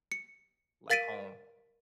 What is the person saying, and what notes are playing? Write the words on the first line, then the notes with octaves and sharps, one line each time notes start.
like home
C#7
A#4 F5 A6 B6 D7 D#7